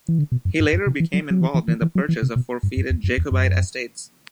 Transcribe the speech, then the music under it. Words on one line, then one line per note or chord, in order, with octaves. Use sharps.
He later became involved in the purchase of forfeited Jacobite estates.
E3
D3
B2
F#2
G2
F#2
C3
E3
F#3
F#3
E3
E3
E3
E3
F#3
E3
C3
B2
G2
F#2
E2
F#2
E2
F#2